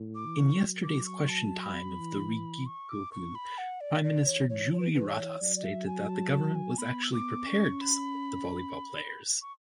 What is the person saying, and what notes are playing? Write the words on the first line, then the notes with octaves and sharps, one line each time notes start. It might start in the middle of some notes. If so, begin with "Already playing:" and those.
In yesterday’s Question Time of the Riigikogu, prime minister Jüri Ratas stated that the government was actually prepared to support the volleyball players.
Already playing: A2
D6
E3
C#6
F#3
D6
C#6
A5
C#6
B5
E3
C#6
D6
C#6
B5
F#5
D5
E3 D5
C#5
C#5
C#5
B4
B4
C#5
F#3 D5
D5
E5
G#5
A5
A5
G#5
B3 B5
E6
D6
C#4 C#6
B5
C#6